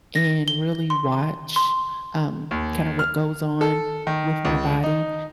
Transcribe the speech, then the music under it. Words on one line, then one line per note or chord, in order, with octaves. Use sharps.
and really watch, um, kinda what goes on with my body,
A#6
G7
C6
C6
D#2
F6
A4
D#3
C#2
D#4